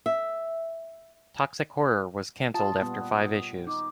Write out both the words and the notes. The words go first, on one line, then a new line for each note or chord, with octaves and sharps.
'Toxic Horror was cancelled after five issues.
E5
F4 A5 D#6
A#2 G3 B3
D#4 D6